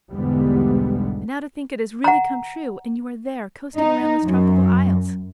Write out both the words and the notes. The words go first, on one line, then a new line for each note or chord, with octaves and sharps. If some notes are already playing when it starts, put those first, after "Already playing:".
And now to think it has really come true, and you are there, coasting around those tropical isles!
B1 E2 G#2 D3 G3 B3
F#5 A#5
D#4
F#2